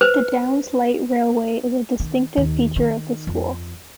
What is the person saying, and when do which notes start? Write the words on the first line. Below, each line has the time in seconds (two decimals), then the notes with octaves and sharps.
The Downs Light Railway is a distinctive feature of the school.
0.01 B4 C5
2.00 D#3
2.37 D#2
2.76 D#3
3.27 F2